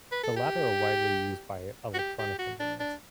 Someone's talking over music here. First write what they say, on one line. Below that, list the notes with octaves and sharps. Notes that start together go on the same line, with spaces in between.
The latter are widely used by electronic engineers.
B4
A4
G4
F#4
G4
G4
F#4
D4
D4